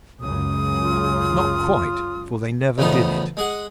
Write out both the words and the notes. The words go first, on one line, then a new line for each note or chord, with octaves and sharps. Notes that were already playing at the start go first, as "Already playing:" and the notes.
But not quite, for they never did it.
C#2 F#2 C#3 D#6
F4
E2 A2 C#3 F3 B3 D#4
G#3 G#4 F#5